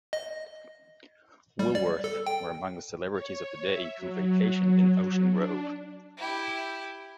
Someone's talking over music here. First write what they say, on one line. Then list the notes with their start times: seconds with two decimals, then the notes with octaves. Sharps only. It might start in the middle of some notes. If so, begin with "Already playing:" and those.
Woolworth were among the celebrities of the day who vacationed in Ocean Grove.
0.13 D#5
1.59 G3
1.75 D5
2.04 A4
2.26 G5
3.12 C#5
3.65 E5
3.97 F#3
5.30 D4
6.17 E4 G4